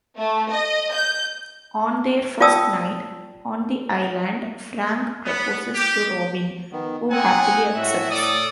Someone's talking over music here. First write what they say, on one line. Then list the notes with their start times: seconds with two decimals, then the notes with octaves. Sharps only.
On their first night on the island, Frank proposes to Robin, who happily accepts.
0.18 A3
0.50 D#5
0.93 G6
2.41 F4 D5 G5 A5 D#6 E6
5.25 B3
5.75 G4
6.72 D#3 B3
7.10 C4 D#4 F#5 G#5
7.75 A2 F#4 E5
8.10 A4 D5 D#6